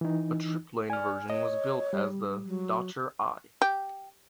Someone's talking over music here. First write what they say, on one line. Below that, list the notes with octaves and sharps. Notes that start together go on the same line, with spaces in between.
A triplane version was built as the Dr.I.
E3 D#4
D5 G#5 F6
C#5 D#5
G3
F#3
G4